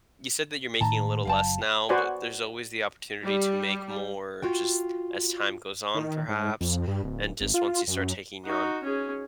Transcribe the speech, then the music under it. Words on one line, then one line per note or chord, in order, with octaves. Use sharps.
you said that you're making a little less now, but there's always the opportunity to make more just as time goes on perhaps and just once you start taking on
A2 D#3 A5 A#5
F#1 F#3 F5 G5 A5
F#4 B4 C5 D5 F#5 G#5
G3
F4 F#4 G5
D#3
G#2
F2
G2
D1
G#1
F4
F#2
D#4 F#4
C#4 G#4